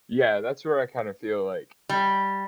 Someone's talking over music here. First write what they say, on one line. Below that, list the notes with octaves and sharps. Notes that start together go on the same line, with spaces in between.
yeah, that's where I kinda feel like,
G3